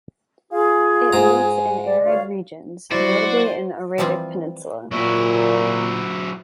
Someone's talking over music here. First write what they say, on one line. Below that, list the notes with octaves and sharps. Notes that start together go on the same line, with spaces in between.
It meets in arid regions, notably in the Arabic Peninsula.
F4 G#4 F5
G#2 G#5 A#5
D5
D2 C#5 F5
F#3 E4 F#4 C5 D5
E3 F3 G3 C4 F4
A#2 F#3 E4